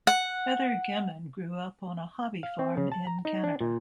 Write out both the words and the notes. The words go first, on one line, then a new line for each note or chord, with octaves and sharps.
Heather Gemmen grew up on a hobby farm in Canada.
F#5
F5
C4
C#3
A5
A#5
D#4
D4
A#2